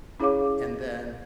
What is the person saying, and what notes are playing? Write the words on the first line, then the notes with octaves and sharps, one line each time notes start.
and then
C#4 E4 G#4 C#5 F5 D6